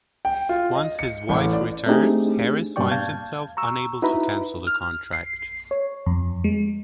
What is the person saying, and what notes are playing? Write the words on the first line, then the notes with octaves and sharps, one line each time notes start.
Once his wife returns, Harris finds himself unable to cancel the contract.
G5
F4
D#5
C#7
A1
D5
A3 C4 D4 D#4 G4 G#4
G2 B2 A#3 D5 G5 C#6
F5 A5 G6 G#6
A#5 C#6 E6
D#4 E4 F#4 B4 A#5 B5
F6
C7
C#5
F2
G#3